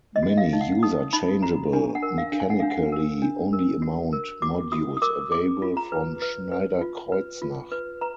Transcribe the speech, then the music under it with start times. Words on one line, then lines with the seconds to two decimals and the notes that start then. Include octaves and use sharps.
Many user-changeable mechanically-only mount modules available from Schneider Kreuznach.
0.16 D#5
0.23 F#4
0.37 F5
0.53 D#4
0.61 F#5
0.83 D#4 D#6
1.13 D#4 B5
1.42 F#4 A#5
1.73 D4 G#5
1.95 F#5
2.03 A#4
2.18 F5
2.32 D4
2.40 G#5
2.50 F#5
2.60 D4 F5
2.71 F#5
2.92 A#4
3.22 D4
3.53 A#4
3.82 F#4
4.13 A#4
4.42 F#4 D6
4.72 F#4 D#6
4.97 D#6
5.02 A#4 D6
5.32 G#4 D6
5.62 F4
5.77 A#5
5.92 B4
6.22 B4
6.52 B4
6.81 F4
7.12 B4
7.42 F4
7.72 B4
8.01 B4 A#5